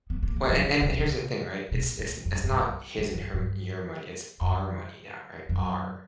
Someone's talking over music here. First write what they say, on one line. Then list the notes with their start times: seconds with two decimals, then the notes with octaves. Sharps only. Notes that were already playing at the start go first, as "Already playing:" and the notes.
Well and and here's the thing. Right? It's it's it's not his and her your money. It's our money now, right, our.
0.10 B3
0.23 A#3
0.36 A#3
0.50 F#3
0.64 D3
0.82 C#3
0.99 C#3
1.72 B2
1.99 A#2
2.25 F#2
2.43 G2
2.61 G2
2.98 F#2
3.15 G2
3.34 G2
4.41 F#2
5.49 F#2